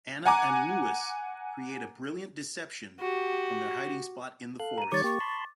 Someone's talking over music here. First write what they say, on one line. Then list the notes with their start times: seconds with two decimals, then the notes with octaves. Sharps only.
Anna and Louis create a brilliant deception from their hiding spot in the forest.
0.26 F#5 G#5 A#5 D6
3.00 F#4 G4
4.60 A4 F5 F#6
4.78 A#5 D#7
4.92 D#3 G3 C#5 C#6 D6 A6
5.04 A#3 G4 C#6
5.20 A5 B5 C6